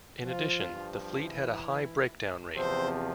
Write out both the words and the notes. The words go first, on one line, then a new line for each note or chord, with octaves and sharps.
In addition, the fleet had a high breakdown rate.
F3 F4
G2 F3
E3 E4
E2 C3 F3 C4 C5